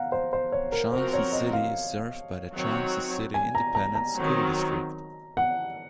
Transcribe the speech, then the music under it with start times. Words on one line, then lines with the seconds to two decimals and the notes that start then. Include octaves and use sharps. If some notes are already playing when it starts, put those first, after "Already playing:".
Johnson City is served by the Johnson City Independent School District.
Already playing: F5 F#5 A#5
0.12 C5
0.33 C5
0.52 C#5
0.72 A#4
0.93 F3 C4 F#4 A#4 C5
1.13 C#5
1.33 D#5
1.53 F5
2.54 D#3 F#3 C4 F#4 C#5
3.34 G#5
3.55 A#5
3.75 A#5
3.95 A#5
4.16 D#3 F#3 C4
5.37 F#5